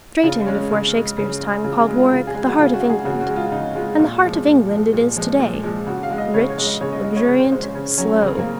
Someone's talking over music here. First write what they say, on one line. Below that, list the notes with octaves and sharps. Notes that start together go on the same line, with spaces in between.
Drayton before Shakespeare's time called Warwick "the heart of England," and the heart of England it is today--rich, luxuriant, slow.
C#3 F4
G#3 C#4
C#3
G#3
C#3
G#3
C#3 F4
G#4
G#3
F4
C#3 F4
G#4
G#3
F#4
C#3 F4
F#4
G#3
G#4
C#3 F#4
F#4
G#3
F4
C#3 D#4
G#3 F4
A#2 F4
F3 G#3
A#2
F3 G#3
A#2
F3 G#3
A#2
F3 G#3
C#3 F#4
F5
G#3
D#5
C#3 C#5
C#5
G#3
D#5
C#3 C#5
D#5
G#3 D#5
C#5
C#3 C#5
C5
G#3 C5
C#4
C#3 C#4
F#3 C#4
C#3 C4
A#3